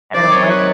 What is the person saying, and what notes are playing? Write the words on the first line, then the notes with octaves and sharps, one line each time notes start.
and I don't like it.
C3 D#3 F#3 C5 D5
C#5 D#5
B4 C#5